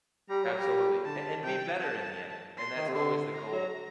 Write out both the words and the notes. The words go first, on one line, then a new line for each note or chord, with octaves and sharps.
Absolutely, a and be better in the end, and that's always the goal,
G3 A#5
F#3
G3
D3 A5
C3 G5
A5
C6
D#3
C3
D3 C6
A#5
F#3